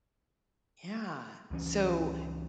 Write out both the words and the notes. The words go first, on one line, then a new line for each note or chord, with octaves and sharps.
Yeah, so,
C#2 E3 C#4